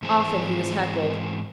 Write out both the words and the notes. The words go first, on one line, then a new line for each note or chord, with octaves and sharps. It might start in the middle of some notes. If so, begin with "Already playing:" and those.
Often he was heckled.
G#2 E3 C4 G#4 C5